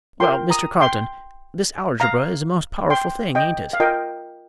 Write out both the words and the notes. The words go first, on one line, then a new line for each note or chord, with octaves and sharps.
"Well, Mr. Carlton, this algebra is a most powerful thing--ain't it?"
F4 A#4 G5 C6
A#5 D#6
G5 C6
F5 A#5
G5 C6
D#5 G5
F5
F4 A#4 D#5 G5